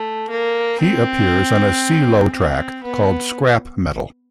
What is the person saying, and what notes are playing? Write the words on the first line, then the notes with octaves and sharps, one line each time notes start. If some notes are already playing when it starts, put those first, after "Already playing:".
He appears on a Cee-Lo track called Scrap Metal.
Already playing: A3
A#3
C4
C4
B3